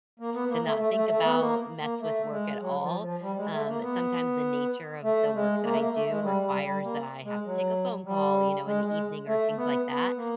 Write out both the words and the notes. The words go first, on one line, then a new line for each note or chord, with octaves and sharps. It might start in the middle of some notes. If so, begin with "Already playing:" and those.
to not think about mess with work at all. Um, but sometimes the nature of the work that I do requires that I have to take a phone call, you know, in the evening or things like that.
A#3
B3
A#3
A3
A3
A3
A3
B3
A#3
A#3
A3
G#3
F#3
F3
F3
G3
G#3
A3
A#3
B3
A3
G#3
A#3
A3
A#3
A3
G#3
G3
G3
G3
A#3
G#3
F#3
G3
G#3
G#3
A3
B3
B3
A#3